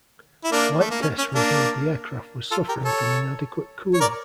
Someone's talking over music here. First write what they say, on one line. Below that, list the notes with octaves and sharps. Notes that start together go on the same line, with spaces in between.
Flight tests revealed the aircraft was suffering from inadequate cooling.
E4
A#3 D4
A3
A#3
C#4
C#4
A#3 D4
F4 A4
G4 A#4
A4 C#5
C#5
A#4 D5